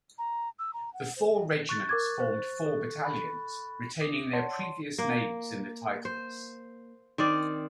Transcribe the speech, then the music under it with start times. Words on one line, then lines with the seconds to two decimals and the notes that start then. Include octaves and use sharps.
The four regiments formed four battalions, retaining their previous names in the titles.
0.18 A#5
0.59 E6
0.73 A#5
0.94 F#5
1.16 C5
1.33 D#5
1.69 C#6 F#6 A6
1.89 A#4 D6 G#6
2.20 C5
2.66 A4
3.05 B5
4.01 D6 D#6 A#6
4.33 C#5 D5 F#5 A5 C6
4.63 C6
4.98 A#3
6.05 C5
7.18 D#3 C4 D5